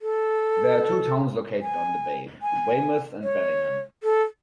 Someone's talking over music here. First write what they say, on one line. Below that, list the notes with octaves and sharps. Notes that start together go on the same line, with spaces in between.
There are two towns located on the bay: Weymouth and Bellingham.
A4
G#5
G#5
C#5
A4